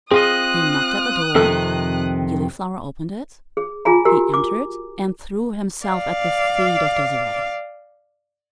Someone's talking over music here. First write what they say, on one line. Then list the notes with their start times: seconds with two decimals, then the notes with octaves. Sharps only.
He knocked at the door, Gilliflower opened it; he entered, and threw himself at the feet of Desiree.
0.11 C4 F4 G#4 D#5 D#6 F#6
1.35 F2 C3 D#3 A4 F6
3.57 G#4
3.85 F4 G#4 G#5 A#5
4.05 F#4 G4 A#4 A#5
4.34 D6
5.84 D5 F5